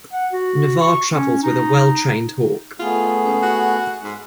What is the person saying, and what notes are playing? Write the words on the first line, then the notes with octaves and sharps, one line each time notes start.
Navarre travels with a well-trained hawk.
F#5
F#4
C#6
C#4
D#4
A3 B3 F4 G#4
C#2
F#4
G#2